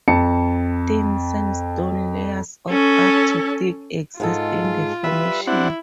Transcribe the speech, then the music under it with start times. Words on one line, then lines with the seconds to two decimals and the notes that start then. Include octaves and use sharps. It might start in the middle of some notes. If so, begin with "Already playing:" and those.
Thin sandstone layers of up to thick exist in the formation.
0.08 F2 A5 C#7
2.69 C#4 A4
4.20 G#2 G#3 F4 A4
5.04 G3 B4 E5
5.47 C4 D4 E4 F#5